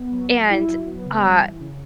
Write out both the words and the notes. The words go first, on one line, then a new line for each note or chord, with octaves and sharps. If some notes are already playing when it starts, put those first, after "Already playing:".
And, uh,
Already playing: B3
F#3
F#3
E4
F#3
B3
C#3
G3
E3
C#3